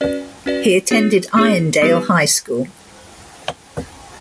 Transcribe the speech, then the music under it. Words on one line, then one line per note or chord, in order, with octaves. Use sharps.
He attended Irondale High School.
C#4 F#4 B4 D5
C#4 F#4 B4 D5
B3 D4 F4 G#4 C#5
B3 D4 F4 G#4 C#5
G3 B3 D#4 G4 B4